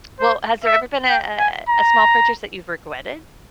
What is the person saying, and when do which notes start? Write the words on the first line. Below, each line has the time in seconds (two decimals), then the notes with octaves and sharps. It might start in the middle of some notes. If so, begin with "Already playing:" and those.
Well, has there ever been a a a a small purchase that you've regretted?
0.20 C5
0.64 E5
1.09 G5
1.39 G#5
1.69 A#5